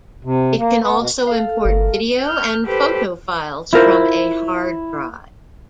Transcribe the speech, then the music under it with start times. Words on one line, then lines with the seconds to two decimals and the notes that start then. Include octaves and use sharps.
It can also import video and photo files from a hard drive.
0.24 C3
0.59 A#3
0.81 B3
0.99 B2
1.27 A4 F5
1.65 G1 A3 A#4
2.24 F6 G6
2.66 G4 A4 B4 C5
3.73 E4 F4 A#4 C5